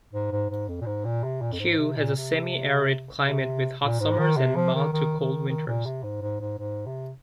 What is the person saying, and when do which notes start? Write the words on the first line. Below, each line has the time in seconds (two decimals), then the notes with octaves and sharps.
Cue has a semi-arid climate with hot summers and mild to cool winters.
0.13 G#2
0.32 G#2
0.50 G#2
0.69 F2
0.81 A#2
0.86 G#2
1.05 A#2
1.23 C3
1.41 A#2
1.53 F2
1.60 G#2
1.79 C3
1.97 A#2
2.16 C3
3.26 C3
3.83 A#2
4.00 G#2
4.19 D#3
4.37 C3
4.56 F3
4.75 D#3
4.93 D#3
5.20 D#3
5.48 D#3
5.67 A#2
5.86 C3
6.03 G#2
6.22 G#2
6.41 G#2
6.58 G#2
6.86 C3